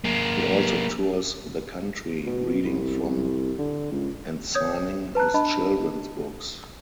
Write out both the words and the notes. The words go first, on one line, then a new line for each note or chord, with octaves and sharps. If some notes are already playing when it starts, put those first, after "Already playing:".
He also tours the country, reading from and signing his children's books.
A#3 G#4
B2
C2
C2
D3
C#2
C#5 D#6 G6 G#6
B4 A5 A#5 F#6
D4 D#5 A5 B5